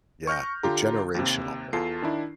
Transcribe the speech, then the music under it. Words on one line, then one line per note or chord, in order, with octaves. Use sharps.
Yeah, the generational thing.
C#6 F6 G6 A#6
D3 F4 G4 A#5
D#2 C3
E2 F4 A4 A5 C7
D#3 D4 E4